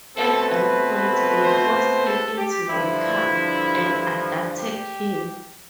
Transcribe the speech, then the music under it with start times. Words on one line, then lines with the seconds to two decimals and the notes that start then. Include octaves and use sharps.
At gunpoint, they forced him into the car and abducted him.
0.16 B2 A3 C4 A4
0.48 B4
1.43 C5
2.06 A4
2.37 G4
2.68 G2 D3 F3 E4
3.94 E4
4.57 G4